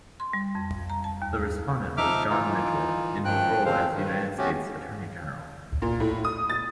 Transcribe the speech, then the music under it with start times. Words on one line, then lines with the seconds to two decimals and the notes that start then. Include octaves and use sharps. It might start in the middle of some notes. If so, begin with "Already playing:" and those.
The respondent was John Mitchell in his role as United States Attorney General.
0.20 C6
0.33 G3
0.55 F2
0.90 A#5
1.04 A5
1.22 D#2
1.97 F3 D#4 E5 D6 F6
2.30 E3 D#4 F4
3.25 F#2 D#3 F3 G5 F#6
3.65 F3 G#3 C4 C5 F5
3.91 G2 D#3
4.38 A3 B3 C#4 F#4 G4
5.82 A#2
6.00 A2
6.24 D#6
6.50 A6